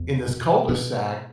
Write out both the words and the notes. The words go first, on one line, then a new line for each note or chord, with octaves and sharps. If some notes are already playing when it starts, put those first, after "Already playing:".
in this cul de sac,
Already playing: E2
B2
B2 B3